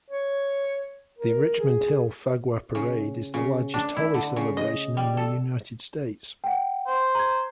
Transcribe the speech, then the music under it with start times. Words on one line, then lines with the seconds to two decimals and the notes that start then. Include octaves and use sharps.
The Richmond Hill Phagwah Parade is the largest Holi celebration in the United States.
0.10 C#5
1.18 A#4
1.59 G#4
2.75 C#3
3.34 C#3
3.74 D4
3.97 E4
4.14 D3
4.36 C#3
4.57 D#5
4.97 G3
5.17 A4
6.44 F#5 G5
6.87 C5
7.15 A#5 G#6